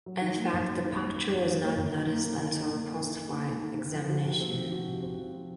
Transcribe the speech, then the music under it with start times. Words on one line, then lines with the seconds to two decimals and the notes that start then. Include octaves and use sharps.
In fact, the puncture was not noticed until postflight examination.
0.06 F#3
0.22 D#3
0.37 A#3
0.53 F#2
0.69 F#3
0.84 D#3
1.00 A#3
1.15 F#2
1.30 F#3
1.46 D#3
1.62 A#3
1.77 F#2
1.92 D#4
2.08 A#3
2.24 A4
2.38 D#3
2.54 D#4
2.70 A#3
2.85 A4
3.01 D#3
3.17 D#4
3.32 A#3
3.48 A4
3.63 D#3
3.79 C4
3.94 F3
4.09 F#4
4.25 C3
4.41 C4
4.56 F3
4.72 F#4
4.88 C3
5.03 C4
5.18 F3
5.34 F#4